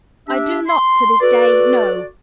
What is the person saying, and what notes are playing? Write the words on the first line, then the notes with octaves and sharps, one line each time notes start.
I do not to this day know.
D4 G4 E5
C6
F#4 A4 B4 D5